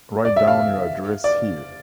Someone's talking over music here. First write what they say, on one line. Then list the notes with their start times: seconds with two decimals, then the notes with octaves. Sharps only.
Write down your address here.
0.25 D5
0.36 E5
0.47 F5
1.24 D5